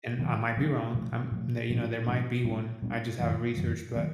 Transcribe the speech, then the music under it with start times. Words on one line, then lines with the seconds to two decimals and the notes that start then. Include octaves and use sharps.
and I might be wrong. Um, there, you know, there might be one. I just haven't researched, but
0.19 C3 D#3 F#3 B3
0.57 C3 D#3 F#3 B3
0.94 A#2 F3 A3
1.32 A#2 F3 A3
1.70 A2 F3 A3 D4
2.07 A2 F3 A3 D4
2.44 A#2 G3 B3 D4
2.82 A#2 G3 B3 D4
3.19 F#2 D#3 F#3
3.57 F#2 D#3 F#3
3.95 D#3 F#3 B3